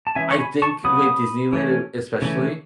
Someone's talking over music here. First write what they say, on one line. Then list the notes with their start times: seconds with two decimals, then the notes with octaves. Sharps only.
I think with Disneyland, it especially,
0.07 A5
0.15 E3 G#3 C#4 E5 G#5
0.31 C#6
0.38 G#5 B5
0.62 A5 C#6
0.84 C#3 F#3 B3 B5 D#6
1.53 E3 A3 C#4
2.22 C#3 E3 A3 C#4